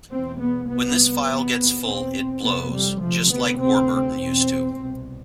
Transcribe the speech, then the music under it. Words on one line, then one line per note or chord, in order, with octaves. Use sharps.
When this file gets full, it blows, just like Warburton used to.
E2 B2 C4
B3
C2 C3 B3
E2 C3 B3
E2 B2 C4
F2 C3 B3
G3
D2 C3 F3
B3
D2 C3 C4
E2 B2 C4
C2 B2